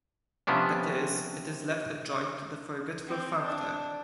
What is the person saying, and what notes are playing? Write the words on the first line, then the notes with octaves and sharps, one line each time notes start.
That is, it is left adjoint to the forgetful functor.
C3 F3 B3 C#4 D4
C4
D4